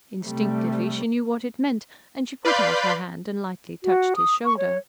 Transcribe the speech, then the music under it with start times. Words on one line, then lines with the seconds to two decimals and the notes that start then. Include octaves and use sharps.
Instinctively she knew what it meant, and she put out her hand and lightly touched his shoulder.
0.22 C3 G3 A3
2.45 B4 D5 F5 B5 C6 G6
3.84 F#4
4.16 D#6
4.45 C#6
4.57 C#5